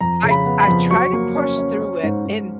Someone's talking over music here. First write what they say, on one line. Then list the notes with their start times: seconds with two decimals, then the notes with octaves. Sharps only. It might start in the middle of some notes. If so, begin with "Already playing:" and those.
I I tried to push through it, and
0.01 F2 A#5
0.23 C#3
0.31 B5
0.46 B3
0.60 B5
0.68 F2
0.91 F#3 C#6
1.13 A#3
1.35 C#4
1.59 C#4
1.82 C#4
2.03 G#2
2.26 G#2